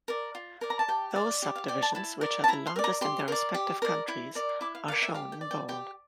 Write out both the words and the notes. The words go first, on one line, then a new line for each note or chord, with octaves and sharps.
Those subdivisions which are the largest in their respective countries are shown in bold.
A#4 D5
F4
A#4 D5
A#5
A5
G4 G5
D5
G4
F5
D5 G5
A5
E4 A5
A#4 D5
A5
E4 A#5
C6
A#4 D5
A#5
G4 C6
A#4 D5
G4
A#4 D5
E4
A#4 D5
E4 D6
F5
A#4 D5 F5
E5
G4 F5
G5
D5
G5
G4 G5